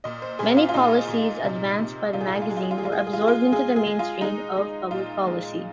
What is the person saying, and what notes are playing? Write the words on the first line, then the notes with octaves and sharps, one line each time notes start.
Many policies advanced by the magazine were absorbed into the mainstream of public policy.
A#2 D#5
C5
A#2 G#4
F4
F4
A#2 D#4
A#2
C3
C3
C3 F4
G#4
F4
G#4
F4
G#3 G#4
F4
G#4
F4
G#4
G#3 F4
G#4
F4
G#4
F4
G#3 G#4
F4
G#3 G#4
G#4
G#3
F4
G#3 D#4
G#3
A#2 F4
G#3